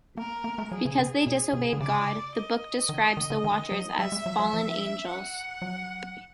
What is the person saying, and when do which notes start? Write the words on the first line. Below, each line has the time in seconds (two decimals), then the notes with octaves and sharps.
Because they disobeyed God, the book describes the Watchers as "fallen angels".
0.17 A#3 A#4
0.44 A#3
0.58 A3
0.72 F#3 G#4
0.85 C#3
0.99 C#3
1.26 B2
1.53 C3
1.73 D3
1.80 C#3 D5
2.35 D#5
2.89 D#3
3.17 D#3
3.30 D3
3.44 D#3
3.72 F#3
3.98 G3 E5
4.12 G#3
4.26 F#3
4.39 F#3
4.53 F3
5.07 F#5
5.62 F#3